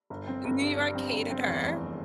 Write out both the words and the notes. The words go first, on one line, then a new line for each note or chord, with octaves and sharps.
New York hated her.
G1
C4
G1
G2
G2
C4
G1
C4
E2
F1